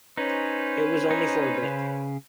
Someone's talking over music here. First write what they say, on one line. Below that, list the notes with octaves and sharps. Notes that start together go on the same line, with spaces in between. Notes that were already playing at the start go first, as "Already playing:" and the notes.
It was only for a bit.
C#4 D#4 B4 C5
D#4
C#3